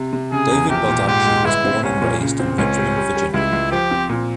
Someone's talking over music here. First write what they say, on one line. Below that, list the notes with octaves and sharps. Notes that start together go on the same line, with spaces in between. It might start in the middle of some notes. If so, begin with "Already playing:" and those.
David Baldacci was born and raised in Richmond, Virginia.
Already playing: C3
C3
C#3 G#4
E2
A#1 G4
A#2
G#2 G4
G#3
G1 E4
C4
C2 C#4
A#2
C#3
C4
C#2 C#4
G3
G3
G3
C#2 E4
C#2
F3 G4
C4
A#2